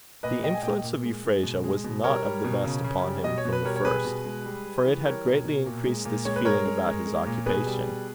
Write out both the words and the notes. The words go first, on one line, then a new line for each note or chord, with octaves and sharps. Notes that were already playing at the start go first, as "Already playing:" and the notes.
The influence of Euphrasia was not of the best upon him from the first; for it had greatly increased this feeling about his occupation.
A#2 B4 D#5
G#3 D#5 G5
G#5
A#2 D#5 G5
A#2
G#3
G#3
B2
G#3
B2
G3 A#4 C#5
G3
B2
C#3
C#3
G3
B2 D#5
C#5
B2
B4
G3 A#4 C#5
C#5
B2 G#4 B4
B2
G#3
G3
G3
E3
G3 A#4 C#5
B2
B2
A#2
G#3
A#2
G#3 C#5
B4
G#3 A#4 C#5
G#3
G#3
G#3
A#2
B2 G#4 B4
G3
B2